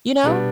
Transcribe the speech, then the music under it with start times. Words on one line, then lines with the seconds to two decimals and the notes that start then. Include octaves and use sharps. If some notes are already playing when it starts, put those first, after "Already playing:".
You know?
0.24 B2 G3 B3 D4